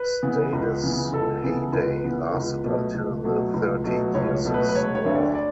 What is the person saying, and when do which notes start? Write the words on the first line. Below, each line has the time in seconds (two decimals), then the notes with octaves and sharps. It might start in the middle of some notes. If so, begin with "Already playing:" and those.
Stade's heyday lasted until the Thirty Years' War.
Already playing: B4
0.22 C#3 E3 B3
0.53 C#2
0.83 C#3 E3 B3
1.13 C#2 A4
1.43 C#3 E3 B3
1.73 C#2 B4
2.04 C#3 E3 B3
2.34 C#2
2.64 B2 F#3 A3
2.94 C#2
3.24 B2 F#3 A3
3.54 C#2
3.84 B2 F#3 A3
4.14 C#2 C#5
4.45 B2 F#3 A3
4.54 B4
4.69 B4
4.75 E1 C#5
4.95 C#5
5.05 D2 D3
5.15 D5
5.35 D5